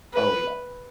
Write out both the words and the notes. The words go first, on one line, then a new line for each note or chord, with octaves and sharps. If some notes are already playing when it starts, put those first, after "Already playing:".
Oh, yeah.
B4